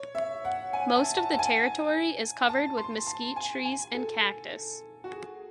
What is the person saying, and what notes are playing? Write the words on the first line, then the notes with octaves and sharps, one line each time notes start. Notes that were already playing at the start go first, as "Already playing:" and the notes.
Most of the territory is covered with mesquite trees and cactus.
Already playing: C#5
E5
F#5
G#5
A5
A5
A5
G#5
A5
C6
A5
G#5
G#5
A4
F#4
G#4